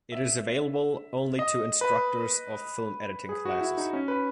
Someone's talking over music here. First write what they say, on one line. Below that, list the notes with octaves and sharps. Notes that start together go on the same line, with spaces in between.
It is available only to instructors of film editing classes.
E5
D#5
B4
G#4
F#4
E4
D#4
C#4
B4